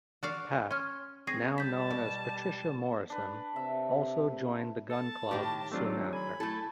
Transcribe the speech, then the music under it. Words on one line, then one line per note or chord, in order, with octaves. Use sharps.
Pat, now known as Patricia Morrison, also joined The Gun Club soon after.
F#4 D5 F5
C#4 C6 F6
C4 G#4 C#6 A#6 C7
G3 A5 G6 B6
B2
D4 B4
C3 E5
A4 A5
A2 D#3 G4
F#3 A3 C4 D4 F4
G#5 B5
A3 E4 A4